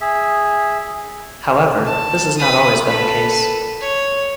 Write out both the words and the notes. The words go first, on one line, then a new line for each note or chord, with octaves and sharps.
However, this has not always been the case.
G#4 E5
A5
B4 D#6
A4 B4
C#5